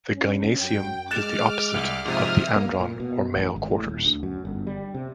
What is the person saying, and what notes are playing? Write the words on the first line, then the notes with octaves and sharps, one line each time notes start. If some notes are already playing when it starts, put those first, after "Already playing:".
The "gynaeceum" is the opposite to the "andron", or male quarters.
C#4
F#2 G5
G#3 D6 F6 F#6 A6 E7
C2
G#2 C3 F3 E5 D#6 F6
A#3
A#2
B2
A1
G#1
A2
D#1
D2
F#2
G1
G3
C3